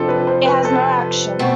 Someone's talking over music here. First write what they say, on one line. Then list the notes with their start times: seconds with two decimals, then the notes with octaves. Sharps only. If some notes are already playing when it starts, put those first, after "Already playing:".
It has no action.
Already playing: F2 C3 F3 D4 F4 A4
0.08 B4
0.27 C5
0.46 B4
0.65 A4
1.39 B2 A3 C4